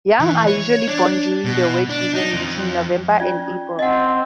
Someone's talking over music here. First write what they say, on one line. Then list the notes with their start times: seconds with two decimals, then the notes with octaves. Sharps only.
Young are usually born during the wet season, between November and April.
0.20 E3
0.47 C#5
0.88 D4
1.44 B2
1.89 D4
2.14 D#4
2.34 F2
3.20 C#4 F4 D5
3.79 C4 D#5 F#5